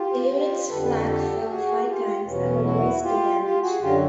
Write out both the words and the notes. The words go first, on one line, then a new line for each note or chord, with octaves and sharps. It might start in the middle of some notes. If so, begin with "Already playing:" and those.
The unit's flag fell five times and was raised again each time.
Already playing: F4 G4
F4 G4
F2 D3 G3 A4 B4
A4 B4
G4 A4
G4 A4
F#4 G#4
F4 G4
E2 B2 F#3 B3 C#4
E4 F#4
F4 G4
F4 G4
F#4 G#4
F#2 D3 F#3 F4 G4